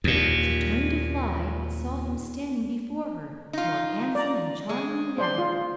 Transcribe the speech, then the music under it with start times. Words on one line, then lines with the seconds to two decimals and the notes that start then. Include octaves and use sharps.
She turned to fly, but saw him standing before her, more handsome and charming than ever.
0.04 D#2 A#2
3.53 D#4 F4
4.15 D5 A#5
4.69 G#3
5.18 C5 D5 C6
5.38 F4